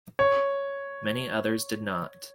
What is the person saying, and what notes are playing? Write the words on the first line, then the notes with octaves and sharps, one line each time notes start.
Many others did not.
C#5